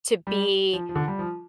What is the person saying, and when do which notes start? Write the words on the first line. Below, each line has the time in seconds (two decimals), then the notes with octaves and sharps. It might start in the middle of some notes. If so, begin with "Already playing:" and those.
to be
0.27 G3
0.73 F3
0.89 F3
0.95 D3
1.08 G3
1.19 F3